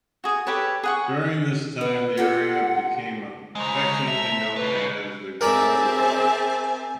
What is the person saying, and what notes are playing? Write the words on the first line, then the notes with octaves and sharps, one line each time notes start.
During this time, the area became affectionately known as "The Granola Belt".
F#4 G#4
G4 A4 B4 C#5
G#4 F#5 C#6
B4
F4 G4 A4 F#5
C#3 G#3 C5 A5 A#5
E5
C#3 B4
C4 G#4 A#4 D5 E5 G#5 A5 B5